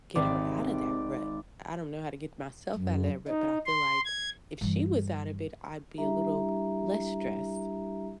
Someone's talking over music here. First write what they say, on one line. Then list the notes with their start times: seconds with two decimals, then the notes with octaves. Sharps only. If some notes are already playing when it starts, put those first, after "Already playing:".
get her outta that rut. I don't know how to get myself out of that rut, but I feel like, if she was out of it, I'd be a little less stressed.
0.15 G#1 C3 D5
2.75 F#2
3.28 D#4
3.66 C6
4.05 G#6
4.61 G2 E3
5.98 G3 D4 E4 G4 E5 A#5